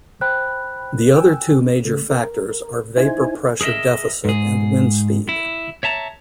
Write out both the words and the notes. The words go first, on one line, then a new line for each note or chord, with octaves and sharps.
The other two major factors are vapor pressure deficit and wind speed.
C5 G5 B5 F#6
G5 G#5 E6
C#3 A3
A#4
D#4 E4 C5 G#5
G#4 A#4 B4 D#5 E5
G#2 G#4
E4
C#5 E5 A5 A#5